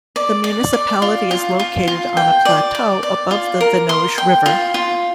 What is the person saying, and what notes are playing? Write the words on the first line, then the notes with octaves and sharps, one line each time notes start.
The municipality is located on a plateau above the Venoge river.
D5
D5
D5
F4
F4
F4
F4
G5
D5
D5
D5
F4
A#4
C6
G5
F4
F4